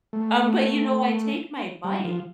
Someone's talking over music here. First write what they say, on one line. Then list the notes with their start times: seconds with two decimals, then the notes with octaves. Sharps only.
Um, but you know, I take my bike
0.13 A3
1.84 G3
2.05 F3